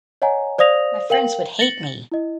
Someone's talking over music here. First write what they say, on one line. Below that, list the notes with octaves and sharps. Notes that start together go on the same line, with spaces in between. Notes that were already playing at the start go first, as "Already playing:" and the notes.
My friends would hate me.
C#5 D#5 F#5 G#5 A#5
C5 D5 F5 D#6 A#6 F7
A#4 F5 G5 F#7
A6 A#6 C#7 F#7
E4 D#5